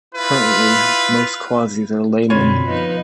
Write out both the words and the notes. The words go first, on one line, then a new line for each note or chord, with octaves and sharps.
Currently most Quazis are laymen.
E4 F4 B4
F#2 B2 D3 C4 F4 C#5 B5
F3 B3 D#4 B4 D#5